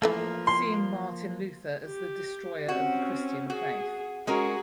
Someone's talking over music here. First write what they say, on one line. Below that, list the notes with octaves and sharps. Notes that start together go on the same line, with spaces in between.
Seeing Martin Luther as the destroyer of the Christian faith.
E3 F3 A3 A#3 A4
C6
G4
C4 C#4 F#4
F#4 G#4
G#3 C#4 F#4 G#4 A#4